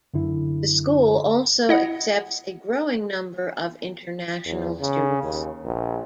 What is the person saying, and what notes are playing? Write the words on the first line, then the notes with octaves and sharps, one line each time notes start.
The school also accepts a growing number of international students.
F#2 D3 E4
E4 D#5 F#5
E2
C#3
D#2
A#1